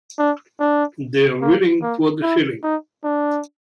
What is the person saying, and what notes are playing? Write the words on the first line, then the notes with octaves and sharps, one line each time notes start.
They're willing – for the shilling.
D4
D4
A#3
A#3
E4
D#4
D4